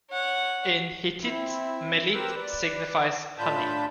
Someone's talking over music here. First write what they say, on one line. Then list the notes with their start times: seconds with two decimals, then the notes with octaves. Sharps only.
In Hittite "melit" signifies "honey".
0.11 C#5 F#5
1.23 C4 E4
2.13 C4 G4 A#4 B4 E6
2.36 B4 D5
3.38 A2 D4 F4 A5 B5 G6